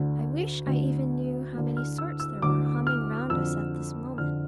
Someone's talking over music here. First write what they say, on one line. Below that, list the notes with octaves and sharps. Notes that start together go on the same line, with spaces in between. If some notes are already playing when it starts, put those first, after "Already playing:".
I wish I even knew how many sorts there are humming round us at this moment.
Already playing: D2 D3
D2 D3
D2 D3
F6
E6
E6
D2 D3 D6
F6
F2 D3 E6
F2 D3 F6